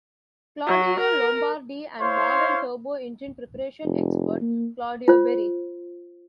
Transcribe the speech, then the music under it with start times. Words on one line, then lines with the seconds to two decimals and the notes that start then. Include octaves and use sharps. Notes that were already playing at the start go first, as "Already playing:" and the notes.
Claudio Lombardi, and modern Turbo-engine preparation expert, Claudio Berri.
0.67 F#3
1.00 A#4
2.00 E4 C5 C#5 F5 C6
3.84 F1
4.41 A#3
5.08 F4 C5